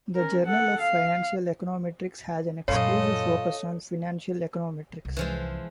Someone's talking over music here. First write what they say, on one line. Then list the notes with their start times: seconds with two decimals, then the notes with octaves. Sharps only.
The Journal of Financial Econometrics has an exclusive focus on financial econometrics.
0.15 C#4 A#4
0.46 A4 F#5
0.81 F5
2.68 F#2 A#2 C#4 F4 A4 C#5 D#5
5.05 C2
5.17 E3 F3 G#3